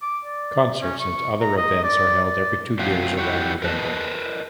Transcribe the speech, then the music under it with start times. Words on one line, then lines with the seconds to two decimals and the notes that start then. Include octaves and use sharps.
Concerts and other events are held every two years around November.
0.02 D6
0.25 D5
0.81 C#4
1.00 C#6
1.41 A#5
1.57 D#5
1.84 D5
2.24 D5
2.79 C3 F3 F#3 F4 G4
3.17 E4 F#4 G4 C#5
3.62 A#4 B4 D#5 A5